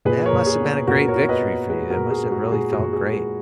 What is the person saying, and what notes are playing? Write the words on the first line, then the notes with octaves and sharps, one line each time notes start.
That must've been a great victory for you. That must have really felt great.
A#2 G#4 B4
A#4 C#5
A#2
G#4
B3
A#2 F#4 A#4
A#4 C#5
B3
B4 D#5
B3
G#3 G#4 B4
F#4 A#4
A#2
G#4
G#3
F#4
A#2 G#4
F#4
A#2
G#4
G#3
G#4